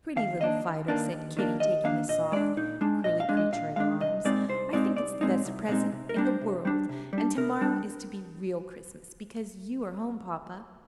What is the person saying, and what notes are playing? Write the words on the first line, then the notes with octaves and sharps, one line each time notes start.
"Pretty little Fido," said Kitty, taking the soft, curly creature in her arms; "I think it's the best present in the world, and to-morrow is to be real Christmas, because you are home, papa."
D#2 F5
D#3 A#3 D4 D#5
D#2
D#3 A#3 D4
D#2
D#3 A#3 D4
D#2 D#5
D#3 A#3 D4 F5
A#2 D#5
G#3 D4 D5
A#2 D#4
G#3 D4
A#2 D#5
F5
G#3 D4
D#5
A#2 F5
G#3 D4 F5
C2 D#5
A#2 G#3 C4 D#4 D5
C2 C5
A#2 G#3 C4 D#4 D5
C2 D5
A#2 G#3 C4 D#4
C2
A#2 G#3 C4 D#4
C3
A#4
G3 D4
C5
C3
G3 D4
C3
G3
D4
C3 A#4
G3 D4